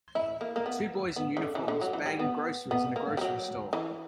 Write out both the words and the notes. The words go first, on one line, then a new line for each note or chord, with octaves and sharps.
Two boys in uniforms bagging groceries in a grocery store.
E4
A#3
A#3
B3
B3
C#3
D3
E3
D3
F#3
E3
G3
B3
B3
A#3
G3
F#3
E3